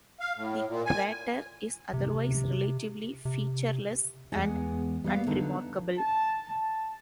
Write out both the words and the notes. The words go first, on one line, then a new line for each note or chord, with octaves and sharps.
The crater is otherwise relatively featureless and unremarkable.
F5
A2
A#2
G#5
C3
C3
E2 G#3 B3 F#5 G#5
G3 B3 F5
D3 D#4 B4
A5
A5